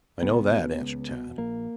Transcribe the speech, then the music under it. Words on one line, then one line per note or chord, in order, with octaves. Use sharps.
"I know that," answered Tad.
C#2 B3
B2
C#2
B2
A#1 A#3